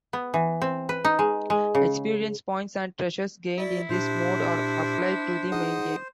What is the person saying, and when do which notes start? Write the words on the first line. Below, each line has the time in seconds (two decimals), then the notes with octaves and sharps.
Experience points and treasures gained in this mode are applied to the main game.
0.13 B3
0.34 E3
0.62 C4
0.89 B4
1.05 D#4
1.19 G#3
1.50 G#3
1.75 C#3
3.58 E4 F#4 D5
3.89 A#2 D4 G4 C5
5.52 D#4 G#4 D#5 F#5